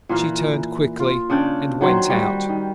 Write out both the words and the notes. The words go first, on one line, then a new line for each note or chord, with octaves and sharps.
She turned quickly, and went out.
A#2 E3 A#3 F5
F4
C#3 D4 D5 G5
D#3 F#3 C5
G3 F#4
D#3